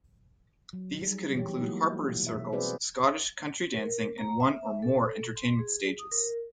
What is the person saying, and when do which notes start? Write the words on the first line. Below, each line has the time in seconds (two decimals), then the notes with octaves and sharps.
These could include harpers' circles, Scottish country dancing, and one or more entertainment stages.
0.73 F#3
1.01 G3 D#4 G#4
1.35 E3 B3 G4 C#5
1.60 F#3 G#3 A#3 D#4 E4 F#4
2.23 B2 E5
2.52 C4 F#4 G#4 B4 C5 D5
3.76 A#4
4.18 A#5
4.40 E5
4.82 A4
5.36 C6
5.59 G#4
5.99 D#6
6.12 A#4